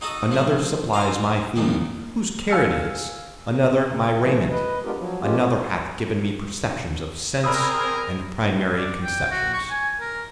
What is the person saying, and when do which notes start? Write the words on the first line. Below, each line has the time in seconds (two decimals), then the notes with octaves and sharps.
Another supplies my food, whose care it is; another my raiment; another hath given me perceptions of sense and primary conceptions.
0.01 D#4 F#4 A4 D#5
0.31 F3 A3
0.93 F5 A#5 C6
1.56 A#1 D#2 A2 D#3
2.50 F5 G#5 E6 F6 C#7
4.19 E3 F3 A3
4.50 B4 D#5
4.84 G#3 B3 D4 F4 G4 A#4
4.96 F3 F#3
5.20 F3 G#3 A#3 C#4 F4 G4
7.44 C4 G#4 A#4 D5 B5 D#6 E6
8.77 D5
9.04 G5
9.31 F#4
9.54 C#6
9.71 G#5
10.00 A#4